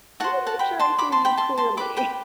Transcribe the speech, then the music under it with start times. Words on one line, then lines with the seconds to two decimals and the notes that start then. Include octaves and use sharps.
Let me make sure I hear you clearly.
0.20 F#4 C5 F#5 A5
0.46 F#5 A5
0.59 G5 B5
0.79 A5 C6
0.98 B5 D6
1.12 A5 C6
1.25 G5 B5
1.37 A5 C6
1.58 A5 C6
1.77 G4 B4 D5 B5 D6
1.97 G5 B5